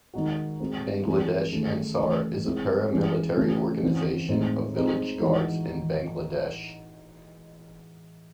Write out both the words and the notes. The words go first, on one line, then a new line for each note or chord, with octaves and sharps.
Bangladesh Ansar is a para-military organization of Village Guards in Bangladesh.
D#3 G#3 D#4 F#4
G#3 C4 F#4
E3 G#3 C4 D#4 G#4
D#3 A3 C#4 G#4
C#3 E3 A3
G#3 C4 E4 G#4
E3 G#3 C#4 G#4
C#3 E3 A3 C#4
C#3 E3 C4 F#4
A2 G#3 C4 D#4
G#3 C4 D#4 G#4
E3 G#3 D#4 F#4